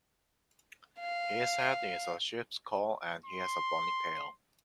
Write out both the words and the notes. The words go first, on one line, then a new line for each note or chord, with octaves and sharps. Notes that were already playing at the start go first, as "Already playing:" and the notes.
His head is a sheep skull and he has a bony tail.
F5
C6